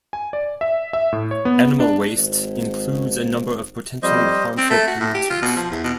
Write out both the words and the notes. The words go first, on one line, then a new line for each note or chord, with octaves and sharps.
Animal waste includes a number of potentially harmful pollutants.
G#5
D5
E5
E5
A2
C#5
B3
D4
G#1
F2 G3 C5 D#5
C4
A3
F#4
A2
G4
F4
B2
F3
E2
B2